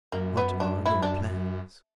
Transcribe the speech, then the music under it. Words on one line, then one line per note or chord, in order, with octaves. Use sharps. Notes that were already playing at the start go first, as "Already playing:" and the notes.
What are your plans?
F#2 A#3
B3
D4
E4
D4